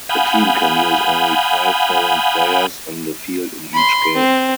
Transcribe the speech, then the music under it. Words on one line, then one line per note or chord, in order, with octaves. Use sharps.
A team can use only five foreign players on the field in each game.
F5 F#5 G#5 B5 D#6 G6
B5 C6
C4